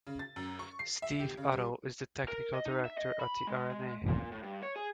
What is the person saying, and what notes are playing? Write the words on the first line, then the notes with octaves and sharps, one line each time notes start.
Steve Otto is the technical director at the R and A.
C#3
A6
F#2
C#6
C7
E5
G4
C#3
G3
A#4
D#5
D#4
E5
D#5
B5
G#3
A#2
A2
G2
C#5
G#4